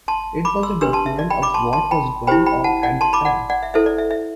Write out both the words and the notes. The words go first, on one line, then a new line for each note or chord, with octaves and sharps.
It was just a document of what was going on at the time.
A5 C6
B5 D6
C6 E6
D4 G4 B4 C6 E6
A5 C6
E5
D5
G5 B5
B5 D6
A5 C6
A5 C6
G5 B5
E4 G4 C5 G5 B5
G5 B5
F#5 A5
D5 F#5
A5 C6
B5 D6
D5 F#5
D5 F#5
E5
E4 A4 C5 E5
D5
E5
E5